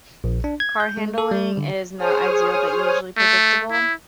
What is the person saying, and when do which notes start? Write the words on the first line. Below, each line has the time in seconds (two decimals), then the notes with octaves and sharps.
Car handling is not ideal, but usually predictable.
0.24 A#1
0.44 D4
0.60 G#6
0.80 G6
0.97 G#3
1.18 A4
1.31 G3
1.57 D3
1.97 G#4 C5 C#5 G#5 D#6 F6
3.17 A3
3.71 E4